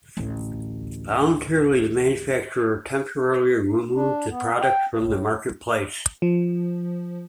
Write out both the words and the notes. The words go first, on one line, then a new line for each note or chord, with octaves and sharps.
Voluntarily, the manufacturer temporarily removed the product from the marketplace.
A1 D2
D4
B3
G5
A2
F3